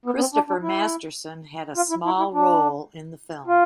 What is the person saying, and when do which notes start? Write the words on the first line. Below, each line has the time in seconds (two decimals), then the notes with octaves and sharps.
Christopher Masterson had a small role in the film.
0.06 B3
0.16 B3
0.20 C4
0.34 D4
0.48 D4
0.62 E4
1.76 F4
1.90 E4
2.05 E4
2.18 E4
2.34 D4
3.47 F4